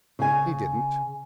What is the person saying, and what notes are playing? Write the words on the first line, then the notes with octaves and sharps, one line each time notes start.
He didn't.
C#3 G#5